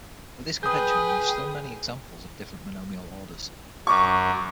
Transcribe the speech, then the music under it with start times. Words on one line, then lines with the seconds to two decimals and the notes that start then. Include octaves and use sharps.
With this convention there are still many examples of different monomial orders.
0.63 G#4 B4 G5 D#6 G6
3.87 F#2 C#6 D6